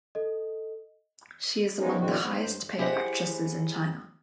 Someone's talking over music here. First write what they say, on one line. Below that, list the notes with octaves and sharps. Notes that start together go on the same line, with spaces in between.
She is among the highest paid actresses in China.
A4 D#5
F3 G3 G#3 B3 C#4 D#4
E2 A#2 D3 G#3 C4 F#4
G#2 B3
G2 C5
E4 G4 G#4 C5 D#5 F#5